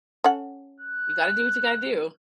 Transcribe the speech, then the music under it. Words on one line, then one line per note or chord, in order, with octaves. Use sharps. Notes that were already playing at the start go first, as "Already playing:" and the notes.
You gotta do what you gotta do.
C#4 A4 F#5
F#6